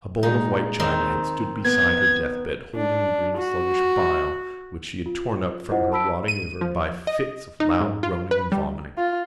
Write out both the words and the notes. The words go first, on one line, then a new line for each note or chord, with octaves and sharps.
A bowl of white china had stood beside her deathbed holding the green sluggish bile which she had torn up from her rotting liver by fits of loud groaning vomiting.
A#2 G#3 D#4
D#3 C4 D#4
B3 G#6
D4
F#4
F4
E4 F4 C5 D#5 F#5
A5 B5 E6 B6 D7
D#7
F3
D#5
D#4
G#2
F4
B4
G3
F4